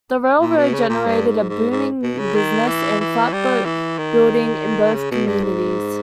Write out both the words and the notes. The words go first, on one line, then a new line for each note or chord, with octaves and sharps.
The railroad generated a booming business in flatboat building in both communities.
A#2
B2
C#3
A#2
G2
G#2
G#2
G#2
B2
C#3
D#3
E3
E3
G3
E3
D#3
C#3
B2
G2
G#2